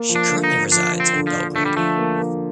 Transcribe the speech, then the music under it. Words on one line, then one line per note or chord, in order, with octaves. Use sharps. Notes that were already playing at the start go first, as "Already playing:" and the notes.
She currently resides in Belgrade.
Already playing: A#3
F3
D4
D3
D#4
D3
F3 D4
F3
C4
D3
F3
D3
D3 A3
G3
F3 A3
A#3
A#3